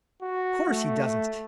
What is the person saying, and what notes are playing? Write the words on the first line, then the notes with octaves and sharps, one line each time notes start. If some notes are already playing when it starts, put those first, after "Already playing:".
Of course he doesn't.
F#4
A3